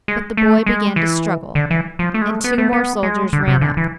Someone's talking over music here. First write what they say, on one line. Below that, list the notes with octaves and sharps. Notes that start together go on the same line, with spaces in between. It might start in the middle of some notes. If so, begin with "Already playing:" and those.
But the boy began to struggle, and two more soldiers ran up.
G#3
A3
G#3
E3
D3
E3
F3
A3
G#3
A3
B3
A3
B3
G#3
D3
C3
D3
E3